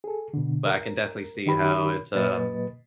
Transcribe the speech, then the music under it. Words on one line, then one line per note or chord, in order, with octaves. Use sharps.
but I can definitely see how it's, um,
G#4 A4
B2 D3
A#4
D#3 D#4 G4 B5
A#2 F#3 A#3 B4 D#5 A6